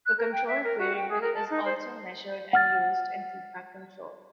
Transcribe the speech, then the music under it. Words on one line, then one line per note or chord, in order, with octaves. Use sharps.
The controlled variable is also measured and used in feedback control.
F#6
A#4
G5
E5
A#4
F#4
G5
G#4
A#4
A5
D#4
C5
F#5 F6 A6